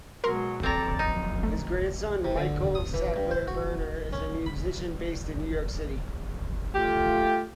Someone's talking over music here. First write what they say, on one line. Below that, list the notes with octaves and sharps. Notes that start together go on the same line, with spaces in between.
His grandson, Michael Sackler-Berner, is a musician based in New York City.
B2 F#3 G#3 A#4 C6
C4 A4 D5 A#5 A6
F#2 F3 D#4
A3
C3
D3
D#6
E3
G2
C5
F#4
C#4
B5
A3 F4 G4